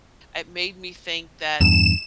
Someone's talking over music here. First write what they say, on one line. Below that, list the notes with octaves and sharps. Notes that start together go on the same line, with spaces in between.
It made me think that,
E2 G2 E7